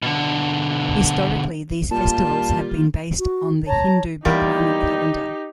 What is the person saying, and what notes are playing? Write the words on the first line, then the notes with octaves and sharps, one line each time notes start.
Historically, these festivals have been based on the Hindu Bikrami calendar.
B2 D3
A#2 G3 A#3 F4 A5
F#4
C#5 A5 A#5
E2 G3 A#3 D#4 G4